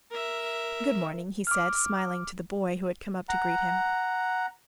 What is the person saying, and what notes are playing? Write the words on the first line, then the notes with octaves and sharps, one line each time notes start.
"Good morning," he said, smiling to the boy, who had come up to greet him.
A#4 E5
D6 F6
F#5 A#5